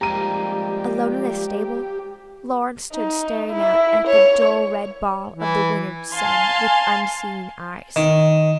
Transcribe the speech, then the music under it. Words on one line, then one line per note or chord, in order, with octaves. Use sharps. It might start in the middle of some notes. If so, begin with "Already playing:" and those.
Alone in the stable Lawrence stood staring out at the dull red ball of the winter sun with unseeing eyes.
F3 G3 G#3 A#3 C4 G4 A#5 D#7
D#4
E4
C#5
E3
F5 G#5 A5 C6
D#3